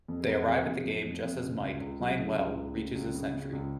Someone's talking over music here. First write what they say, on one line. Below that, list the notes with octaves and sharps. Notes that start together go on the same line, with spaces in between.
They arrive at the game just as Mike, playing well, reaches his century.
F2
G#4
F2 A#4
G#4
F2
A#4
F2 G#4
F3
F2
F2
C#3
C#2
C#2
F#3 G#4
C#3 G#4
C#2 G#4
C#2
C#3
C#2
C#3
C#3
C#2